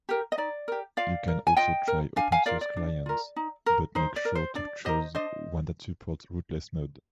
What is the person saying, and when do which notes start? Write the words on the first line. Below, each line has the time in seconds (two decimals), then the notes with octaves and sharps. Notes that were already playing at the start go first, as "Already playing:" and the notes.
You can also try open source clients, but make sure to choose one that supports rootless mode.
0.09 G4 A#4
0.32 D#5
0.38 D#4 D5
0.68 G4 A#4
0.97 F4 D5 F5
1.28 A#4
1.47 G#5
1.57 F4 D#5 G5
1.88 A#4
2.16 D4 F5 G#5
2.32 F5 G#5
2.46 F4 A#4 D5 F5
2.61 D5
2.77 D4
3.06 F4 A#4
3.36 D#4
3.66 A#4
3.95 D#4 C5
4.16 D5
4.25 A#4
4.35 C5
4.55 D4 D5
4.85 G4 A#4 C5 D#5
5.15 D4 C5 D#5